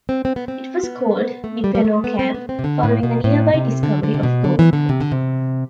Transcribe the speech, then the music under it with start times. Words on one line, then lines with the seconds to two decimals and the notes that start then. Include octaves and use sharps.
It was called "Nippeno Camp" following a nearby discovery of gold.
0.09 C4
0.25 C4
0.36 B3
0.48 C4
0.84 B3
1.44 A3
1.64 G3
1.75 G3
1.85 A3
2.04 B3
2.19 C4
2.34 B3
2.49 C4
2.59 C3
2.64 D3
2.83 A2
3.03 B2
3.24 A2
3.54 C3
3.83 D3
4.03 D3
4.14 C3
4.23 B2
4.44 D3
4.59 E3
4.73 D3
4.89 C3
5.00 D3
5.12 C3